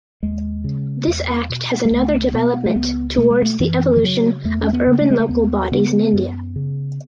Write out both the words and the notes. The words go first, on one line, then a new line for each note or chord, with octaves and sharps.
This act has another development towards the evolution of urban local bodies in India.
D#2 G#3
C#3
E2
B2
G#3
C#2 A3
B2 B3
A3
C#2 B3
B2 A3
G#3
A3
F#2 E3
E3
C#3 F#3
E2 A3
C#4
B3
C#3
A3
G#3
A3
D#2 B3
C#3 B3
F#2
C#3